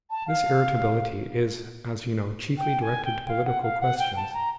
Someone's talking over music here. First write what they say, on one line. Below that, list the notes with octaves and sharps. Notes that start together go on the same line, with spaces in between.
This irritability is, as you know, chiefly directed to political questions.
A5
F5
G5
G#5
G5
F5
F#5
F5
F#5
G5
A5
A#5